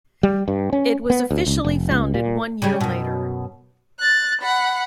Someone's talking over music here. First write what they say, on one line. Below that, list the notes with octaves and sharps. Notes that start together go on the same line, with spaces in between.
It was officially founded one year later.
G3
G2
C#4
B3
D2
C#2
F1
C#2
A#2
C#3 G3
F#2 B2
F#6 A6
F#5 B5